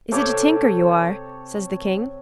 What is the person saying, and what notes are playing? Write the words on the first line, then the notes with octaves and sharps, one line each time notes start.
"Is it a tinker you are?" says the king.
C3 A4 C#5 D6